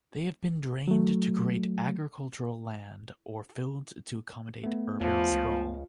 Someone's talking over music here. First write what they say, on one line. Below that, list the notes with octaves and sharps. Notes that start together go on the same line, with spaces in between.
They have been drained to create agricultural land or filled to accommodate urban sprawl.
F#3 A3
A3 B3
E2 F3
C#2